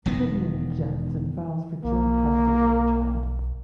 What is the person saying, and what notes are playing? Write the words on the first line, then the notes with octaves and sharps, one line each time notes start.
Sidney objects and files for joint custody of the child.
E1 F2 D#3 B3
B1 A#3